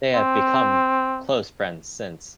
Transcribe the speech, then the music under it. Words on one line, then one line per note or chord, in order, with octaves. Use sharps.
They have become close friends since.
C4